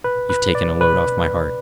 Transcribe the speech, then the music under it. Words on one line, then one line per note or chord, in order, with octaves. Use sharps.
You've taken a load off my heart....
B4
B4
D5
B4